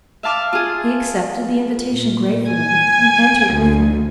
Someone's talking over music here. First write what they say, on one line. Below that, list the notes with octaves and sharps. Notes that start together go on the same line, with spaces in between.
He accepted the invitation gratefully, and entered with her.
E5 F5 A5 D6 F6
F4 G#4
A#2
G#5
D2